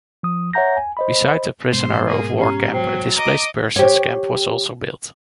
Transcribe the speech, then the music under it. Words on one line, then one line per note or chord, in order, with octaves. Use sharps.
Besides the prisoner of war camp, a Displaced persons camp was also built.
F3 D#6
C#5 E5 F#5 A#5 G6 A#6
G#5
C5 D#5 B5
G#2 B2 C5
A#3 G#4
C#4 G4 A#5 C7
F#3 C5 G5 C7
D#5 A#5 D6 A#6
G4 C#5